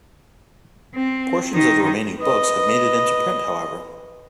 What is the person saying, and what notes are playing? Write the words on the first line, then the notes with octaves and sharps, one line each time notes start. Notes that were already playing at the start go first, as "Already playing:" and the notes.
Portions of the remaining books have made it into print, however.
C4
D#3 D#4
B4 D#5